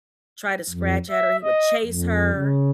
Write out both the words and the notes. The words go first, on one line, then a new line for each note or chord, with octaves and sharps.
try to scratch at her, he would chase her
F2
E5
D#5
F2
C#3